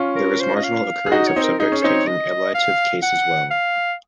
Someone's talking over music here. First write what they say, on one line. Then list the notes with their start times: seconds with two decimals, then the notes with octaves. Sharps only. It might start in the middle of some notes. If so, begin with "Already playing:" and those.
There is marginal occurrence of subjects taking ablative case as well.
Already playing: C#4 F4
0.16 A#4
0.40 C5
0.57 D#5
0.64 F5
1.06 G#4
1.11 D#4 F#4 D#5
1.28 C#5
1.36 C4 D#4
1.43 A#4
1.59 D#4 G#4
1.72 C#4
1.83 C4 D#4 C#5
2.07 D#5
2.55 F5
3.03 F#5
3.51 F5